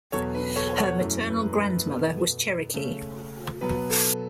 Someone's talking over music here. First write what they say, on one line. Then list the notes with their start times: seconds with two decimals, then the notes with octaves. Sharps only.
Her maternal grandmother was Cherokee.
0.12 E2 B2 F#3 A4 C#5
0.35 B4
0.56 A4 C#5
0.78 C#5 F#5
1.00 F#2 E3 A3 C#4
1.29 B4
1.58 B4
1.87 B2 B3 A4
2.74 C#3 A3 C#4
3.61 B2 F#3 B3 B4
3.90 A4